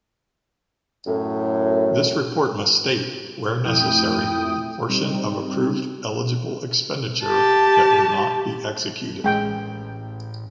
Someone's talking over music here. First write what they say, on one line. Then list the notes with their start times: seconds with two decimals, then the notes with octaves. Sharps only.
This report must state, where necessary, the portion of approved eligible expenditure that will not be executed.
1.07 F#2 A2
3.65 F2 A3 E4 G5 D#6
4.88 G3 C4 D#4
7.25 G4 A5
9.24 A2 E3 G#3 C#4 G5